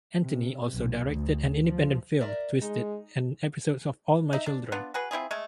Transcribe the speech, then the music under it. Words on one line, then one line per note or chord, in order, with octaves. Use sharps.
Anthony also directed an independent film, "Twisted", and episodes of "All My Children".
C3
B1
D2
F3
A#4 D5 E5
G#3 D#4
D#4 E5
D4
B3 D4 F4
F#4 G#4 B4
C4 E4 F4 G#4
G#3 A3